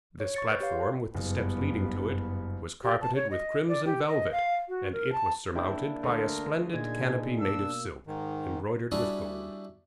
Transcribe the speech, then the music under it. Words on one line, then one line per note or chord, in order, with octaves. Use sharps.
This platform, with the steps leading to it, was carpeted with crimson velvet, and it was surmounted by a splendid canopy made of silk, embroidered with gold.
C#5
C#6 A6 C#7
B4 G6
G4 C#5 F5
C6
F#1 G2 B3
G4
A5
C#5
D#5
D5
G4
D#5
F5
F#4
A#4
A5
C#3 A#3 D4 E4 G5
D2 A3 A#4
A#2 D4 D#4 G#4 G#6
B2 A#3 D4 E6
G#2 D#3
G3 D4 E4 F#4 G#4